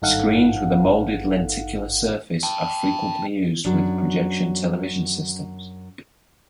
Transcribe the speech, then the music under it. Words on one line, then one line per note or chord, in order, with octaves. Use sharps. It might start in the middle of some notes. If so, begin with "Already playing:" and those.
Screens with a molded lenticular surface are frequently used with projection television systems.
G#1 G2 D#4 A4 F5 F#5
G5 A5
F#2 F#3 D4